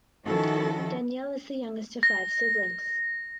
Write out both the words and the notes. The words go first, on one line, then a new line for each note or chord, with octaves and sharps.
Danielle is the youngest of five siblings.
D#3 F3 C#4 E4 F#4 A4
A#6